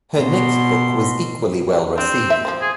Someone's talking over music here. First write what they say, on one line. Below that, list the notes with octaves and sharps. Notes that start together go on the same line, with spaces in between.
Her next book was equally well received.
B2 C6
C4 D4
E5
F3 C4
G#4